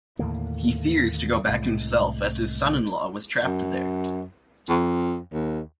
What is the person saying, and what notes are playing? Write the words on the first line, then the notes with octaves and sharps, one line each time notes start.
He fears to go back himself, as his son-in-law was trapped there.
D#2 A2 D3 A#3
C2 A2 G#3
F#2
F2
D#2